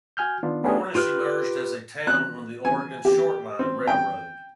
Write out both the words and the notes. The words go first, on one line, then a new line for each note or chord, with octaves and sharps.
Cornish emerged as a town on the Oregon Short Line Railroad.
F#4 G#5 F6 G6
D#3 B3 D4 F4
A3 B3 C#4 D4 G4 G#4
F4 G4 B4 F6
F#6
G#5
G4
C4
G5